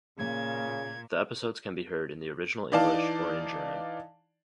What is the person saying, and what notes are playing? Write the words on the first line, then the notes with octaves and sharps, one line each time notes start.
The episodes can be heard in the original English, or in German.
A#2 C#3 G#6
E3 D#4 D5 F5 A5